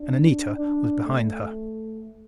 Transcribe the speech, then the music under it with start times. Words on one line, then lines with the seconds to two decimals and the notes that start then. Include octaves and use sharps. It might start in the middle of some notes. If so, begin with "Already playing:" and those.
And Anita was behind her.
Already playing: D4
0.56 D4
1.04 A3